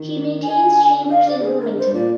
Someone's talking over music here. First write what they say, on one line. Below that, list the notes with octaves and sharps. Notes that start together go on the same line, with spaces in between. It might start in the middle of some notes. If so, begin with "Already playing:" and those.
He maintains chambers in Wilmington.
Already playing: D#3
D3 G#5
F5
D5
G4
G#4
A#4
G2 C5
A#2 D5